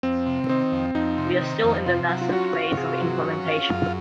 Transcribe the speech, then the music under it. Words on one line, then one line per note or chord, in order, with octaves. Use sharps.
We are still in the nascent phase of implementation.
F2 C4
C3
D#3 C4
F2
F2 D#4
C3
D#3
F2
C3 F4
F#3
F4
C#4 F#4
F4
C3 G#4
F#3
C#4 F#4
F4
F#2